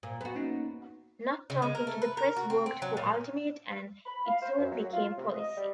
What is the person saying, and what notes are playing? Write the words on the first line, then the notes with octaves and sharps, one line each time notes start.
Not talking to the press worked for Ultimate and it soon became policy.
A#2
B3 F#4
A#3 C#4 D#4
C#3
G#3
A#4
A3
B4
A#4
F#4
C4
C4
F#3
A#2
B5
F5
C5
F#2
F#3
F4
C3
D#5
G3